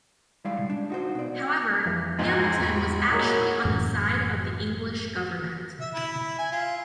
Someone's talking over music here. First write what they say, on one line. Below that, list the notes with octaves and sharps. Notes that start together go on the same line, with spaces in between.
However, Hamilton was actually on the side of the English Government.
G3 G#3 E4 D5 F5
D4
D#4 F#4 C5
B2 D5
F2 E3 F3
C#2 G#2 C5 G#5 C6
E2 B5 C#6
A#2 F#3 A#3 D#4 E4 F#4 G#4 A#4
F#1 F#2 A2 E3
E5
E4
G#5
F4